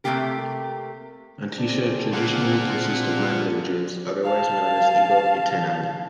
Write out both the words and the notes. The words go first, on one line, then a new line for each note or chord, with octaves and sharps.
Onitsha traditionally consists of nine villages, otherwise known as Ebo Itenani.
C3 D#3 A3 A#3 G4 A#4
C4 D4 G#4
A#2 A#3 F#5
F5 A5